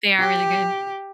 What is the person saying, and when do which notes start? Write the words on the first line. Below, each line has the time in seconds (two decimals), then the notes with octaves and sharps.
They are really good.
0.20 G4